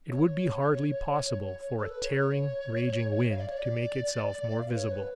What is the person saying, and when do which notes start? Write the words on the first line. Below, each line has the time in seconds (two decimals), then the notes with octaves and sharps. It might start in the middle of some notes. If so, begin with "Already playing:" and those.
It would be hardly possible for a tearing, raging wind to make itself more visible.
0.09 C#5
1.77 A4
1.90 B4
2.02 C#5
3.31 F5
3.40 D5
3.50 C#5
3.58 D5
4.59 F5
4.69 B4
4.75 C#5
4.92 B4